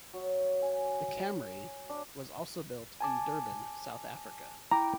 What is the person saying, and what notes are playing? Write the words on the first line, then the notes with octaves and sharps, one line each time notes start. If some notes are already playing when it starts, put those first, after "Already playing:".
The Camry was also built in Durban, South Africa.
F#3
G#5
D4
G#5 A5 D6
E4 G5 A#5 D6